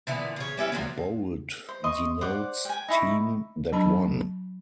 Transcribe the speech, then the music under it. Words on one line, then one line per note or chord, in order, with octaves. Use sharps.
Bold denotes team that won.
A#2 D3 E3 B3
C#3 C#5
G3 C#4 E4 B4
D3 F3 F#3 B3
C5
D#5 C6 C#6
C5 D5 F#5 D6
G5 G#5
D#4 E4 C#6
F#3 D4 A5 B5